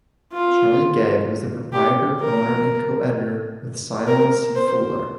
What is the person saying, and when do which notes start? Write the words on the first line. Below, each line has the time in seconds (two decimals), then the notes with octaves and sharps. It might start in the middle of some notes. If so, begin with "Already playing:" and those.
Charlie Gay was the proprietor, owner, and co-editor with Ceylon C. Fuller.
0.33 F4
1.73 G4
2.21 A#4
4.07 A#4
4.55 C5